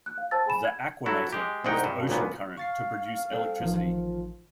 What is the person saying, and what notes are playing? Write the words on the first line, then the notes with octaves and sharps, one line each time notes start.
The Aquanator used ocean current to produce electricity.
F#6
F5
C5 A5 E6 A6
G#4 G#5 B5 E7
G#6
F#3 E4 F#4 A4
G#3 G4
C2 G#2 D#3 D#4 F#5 G5
G2
G#1 C#2 A#2 B3
F5 C#6 A6 C7
G3 C4 A4
A1 D#3 F3